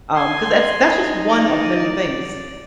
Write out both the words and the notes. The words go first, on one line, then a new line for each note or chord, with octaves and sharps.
um 'cause that's that's just one of many things.
G#5 C6
D#4
D5